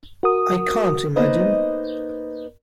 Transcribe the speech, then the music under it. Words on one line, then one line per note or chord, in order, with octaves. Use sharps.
I can't imagine.
F#4 A#4 D#6
A#3 B3 D#4 B4 C5 D#5